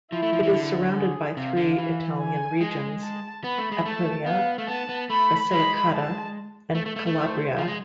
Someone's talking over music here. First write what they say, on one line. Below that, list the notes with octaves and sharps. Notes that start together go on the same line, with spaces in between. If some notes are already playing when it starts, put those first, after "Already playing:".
It is surrounded by three Italian regions, Apulia, Basilicata, and Calabria.
F3 E4
A3
F3
E3
D3
G#4
C3 F5
D3
E3
G#5
G#3
A5
B3 B5
A3
G#3
A3 A5
B3 F5
A3
B3 A5
B3
A3 B5
G#3 B5
A5
A3
A3
A3
A3
C5
F3
G#3